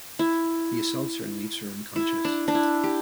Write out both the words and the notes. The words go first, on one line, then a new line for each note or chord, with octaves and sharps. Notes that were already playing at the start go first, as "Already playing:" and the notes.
He assaults her and leaves her unconscious.
E4
E4
D4
D4
E4
G4